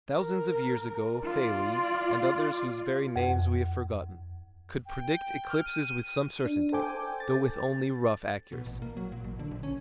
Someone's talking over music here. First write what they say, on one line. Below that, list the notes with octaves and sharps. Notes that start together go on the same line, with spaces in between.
Thousands of years ago, Thales, and others whose very names we have forgotten, could predict eclipses with some certainty, though with only rough accuracy.
A#4
F4 D5
F2
G5
F6
D#7
D4
A4 C5 G5 G#5 D6 G6
A6
B2
A1
A#3
F#3
A#2
A1
D3
A#1
C#4